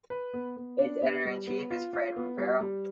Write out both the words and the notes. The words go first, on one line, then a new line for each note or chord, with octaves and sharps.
Its editor-in-chief is Fred Rivara.
B4
B3
B3
D4
B3
G3
B3
F4
F4
B3
G3
G3